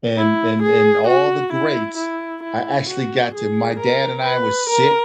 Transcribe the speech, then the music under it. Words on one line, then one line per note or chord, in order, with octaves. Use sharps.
and and and all the greats I actually got to my dad and I would sit
E4
G#4
F#4
E4
E4
E4
F#4
G#4
A#4
B4
A#4